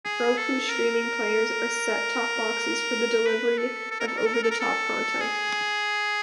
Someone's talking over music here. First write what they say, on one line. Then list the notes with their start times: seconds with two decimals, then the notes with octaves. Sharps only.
Roku Streaming Players are set-top boxes for the delivery of over-the-top content.
0.05 G#4
0.37 A4
0.69 A#4
3.26 B4
3.58 A4
3.91 A4
4.00 A#4
4.08 A4
4.18 A#4
4.26 A4
4.34 A#4
4.43 A4
4.51 A#4
4.60 A4
5.20 G#4